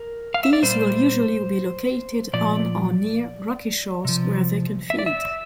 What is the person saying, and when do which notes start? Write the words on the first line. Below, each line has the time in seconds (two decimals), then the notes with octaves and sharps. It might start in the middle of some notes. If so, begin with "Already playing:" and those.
These will usually be located on or near rocky shores where they can feed.
Already playing: A#4
0.34 F5
0.43 E5
0.53 D5
0.63 A#2 G3 C5
2.33 A#2 F3 D5
4.05 C3 F3
4.90 E5
4.99 D5
5.06 E5